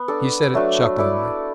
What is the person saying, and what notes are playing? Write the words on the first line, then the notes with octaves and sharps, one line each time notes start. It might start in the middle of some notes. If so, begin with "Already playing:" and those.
He said it chucklingly.
Already playing: B3
D4 A4 D5
F#3 A3 D4
E4 A4 D5